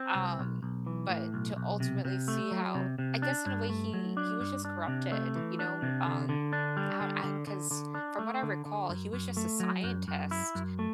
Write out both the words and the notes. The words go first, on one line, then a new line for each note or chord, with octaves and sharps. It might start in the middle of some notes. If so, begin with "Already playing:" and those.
um, but to ultimately see how I guess in a way he he was just corrupted, you know? Um, I I 'cause from what I recall, he was just a scientist,
Already playing: C4
C2
B1
B1
E3
A2
B1
B1
C3
C3
A3
F#3
C3
C3
D4
G2
A3
F#3
D4
G2
D4
C3
A3
E3
D4
C3
D3
D3
D4
G3
D3
D3
D3
D3
D4
A3
D3
D3
F#2
F#2
A3
F#3
F#2
F#2
E4
F#2
A3